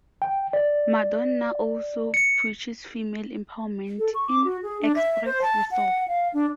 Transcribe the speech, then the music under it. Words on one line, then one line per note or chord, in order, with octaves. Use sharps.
Madonna also preaches female empowerment in "Express Yourself".
G5
D5
C#7
A4
C#6
D6
F#4
G#4
D4
E5
C5
A5
F#5
F5
D4